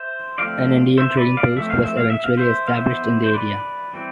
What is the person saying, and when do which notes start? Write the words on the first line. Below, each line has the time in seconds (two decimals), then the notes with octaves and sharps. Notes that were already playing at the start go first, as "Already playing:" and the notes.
An Indian trading post was eventually established in the area.
Already playing: C5 E5
0.38 D3 F3 A3 C4 D5 F5
0.98 C5 E5
1.17 B4 D5
1.37 D5 F5
1.56 F3 A3 C4 E5
1.70 F5
1.84 E5
1.97 F5
2.10 E5
2.24 F5
2.37 C5 E5
2.68 F5
2.75 E3 B3 C5 E5
3.24 C5
3.34 B4 D5
3.93 E3 G3 C4